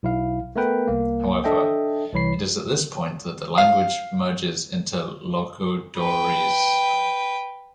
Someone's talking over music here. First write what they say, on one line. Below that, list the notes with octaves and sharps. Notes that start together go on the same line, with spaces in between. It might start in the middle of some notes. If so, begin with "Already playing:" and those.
However, it is at this point that the language merges into Logudorese.
B1 E4 F5
A3 B3 A#4 B4 G5
C2 A#3
D4 A4 D#5 E5 G5
C2 E3 C#5 B5 C7
F5
B4 G5